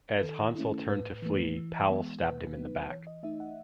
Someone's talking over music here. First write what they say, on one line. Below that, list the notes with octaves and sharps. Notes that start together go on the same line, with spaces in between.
As Hansell turned to flee, Powell stabbed him in the back.
B4
D#3 A4
A3 C#4 E4
A2 B4
E3 A3
E3
G#3 B3
B2 B4
F#3 B3 D#4
E3 C#5
D#5
A3 D#4 E5
F#5